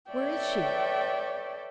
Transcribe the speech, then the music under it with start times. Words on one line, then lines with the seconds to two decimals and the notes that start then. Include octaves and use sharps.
Where is she?
0.11 A4 B4 C#5 D5 E5 G5